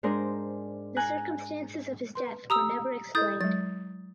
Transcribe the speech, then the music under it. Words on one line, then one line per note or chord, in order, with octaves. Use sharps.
The circumstances of his death were never explained.
G#2 G#3 D4 A#4 C5
G#5 A#5 F#6
B4 C6
G4 A#5 D#6 E6
E4 A4 D#5 D#6 G6 A6
F#3 G#3 A6